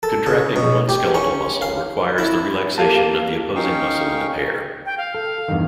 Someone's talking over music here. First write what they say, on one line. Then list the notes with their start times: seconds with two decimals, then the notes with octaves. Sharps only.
Contracting one skeletal muscle requires the relaxation of the opposing muscle in the pair.
0.03 A4
0.26 C#3
0.56 B2
0.89 G4
1.15 C#4
1.62 F5
2.18 E4
2.78 A#3 G4 F5 A5
3.56 C#4 D#4 F5 G5 C#6
4.86 G5
4.98 F5
5.14 A4
5.48 E2 G2 D#3